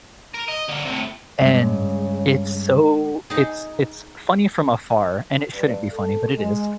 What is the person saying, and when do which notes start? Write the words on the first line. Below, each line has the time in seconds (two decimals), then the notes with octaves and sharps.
And, it's so it's it's funny from afar, and it shouldn't be funny, but it is,
0.34 A#4
0.49 D#5
0.69 D3 A#3
0.85 A2 C3
1.41 G2 C#3 G#3
3.30 D#4 G#4
5.53 G2
5.93 A4
6.38 G#3